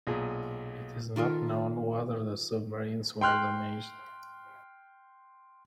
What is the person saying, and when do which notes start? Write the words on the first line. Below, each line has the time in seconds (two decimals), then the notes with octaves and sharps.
It is not known whether the submarines were damaged.
0.07 B1 A#2 G#4
1.16 D#3 F4 A4 A#4
3.21 G5 C6 F6 F#6